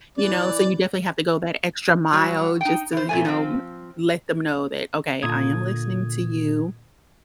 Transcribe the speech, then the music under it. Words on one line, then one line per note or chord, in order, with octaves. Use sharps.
you know, so you definitely have to go that extra mile just to, you know, let them know that, "Okay, I am listening to you,
E3 D5
F#3 G3 F#4
D#4 G5
E3 C5
A#2 A3 G#5
F3 C4
A#2 D3 D#6 G#6